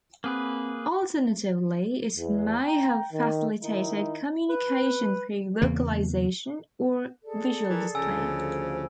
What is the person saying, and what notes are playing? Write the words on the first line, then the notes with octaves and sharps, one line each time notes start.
Alternatively, it may have facilitated communication through vocalization or visual display.
A#3 C4 G#4 B4
E2
G5 A#5
D#3
D#3 D#4 E4
B4
E2 C#3 A#3
G#4 A4 D5
E3 A#4
D2 C#3 F3 G#5 E6